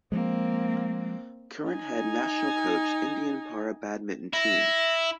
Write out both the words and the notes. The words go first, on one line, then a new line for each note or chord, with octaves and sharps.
Current Head National Coach Indian Para Badminton Team.
F3 G#3 A#3 C4
D#4 G#5
E4 A#6